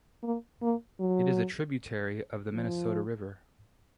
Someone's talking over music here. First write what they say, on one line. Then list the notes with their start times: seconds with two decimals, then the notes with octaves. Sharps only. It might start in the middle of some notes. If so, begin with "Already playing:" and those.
It is a tributary of the Minnesota River.
0.24 A#3
0.62 A#3
1.00 F#3
2.55 F3